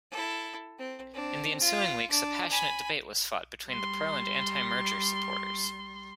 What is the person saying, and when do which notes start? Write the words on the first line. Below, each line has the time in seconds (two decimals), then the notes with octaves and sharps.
In the ensuing weeks, a passionate debate was fought between pro and anti-merger supporters.
0.11 E4 A4
0.78 C4
1.13 C4 D4
1.60 F4
2.10 D4
2.51 G#5 B5
3.69 G3 C6